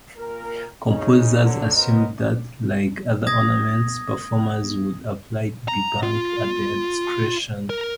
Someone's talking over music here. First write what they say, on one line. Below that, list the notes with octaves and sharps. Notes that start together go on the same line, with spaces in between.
Composers assumed that, like other ornaments, performers would apply "bebung" at their discretion.
A#2 A#4
C#3 C#4 D#4
D3 F#3
B3 C#4 F#4 A#4 C5 D#5
D#6 G#6 A#6
A#5
F4
A#4